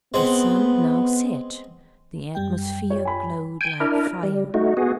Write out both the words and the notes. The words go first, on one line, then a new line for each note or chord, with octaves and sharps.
The sun now set: the atmosphere glowed like fire.
G#3 B3 C4 F#5
F#2 G3 G5
C#5
G#5 B5
G5 G#5
D4 E4 A#4
G3
A3 D#4 F#4
B3 F#4 G#4